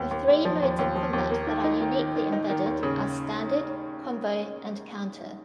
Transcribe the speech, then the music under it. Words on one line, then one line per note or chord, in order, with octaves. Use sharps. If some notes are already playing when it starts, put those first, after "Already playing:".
The three modes of combat that are uniquely embedded are "standard", "combo" and "counter".
Already playing: D#2
D#2
D#2
F3
D#2
D#2
F3
D#2
A#3
D#3
D#4
D#3
D#3
D#3
D#4
D#3
D#2
C#3